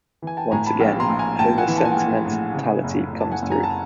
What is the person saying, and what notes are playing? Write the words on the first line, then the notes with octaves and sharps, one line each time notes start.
Once again, Homer's sentimentality comes through.
E3 G#5
G5 A5
A2 G#5 A#5
A5 B5
A#1 F5 G5
A#5 C6
A#1
G#5 A#5
A2 G5 A5
F#5 G#5
E3
A5
G#5
G5
A#1 F#5 G#5
A2
C#3
F#1
F#1
A5
F#5 G#5
F#1
G#5 A#5
A5
A#5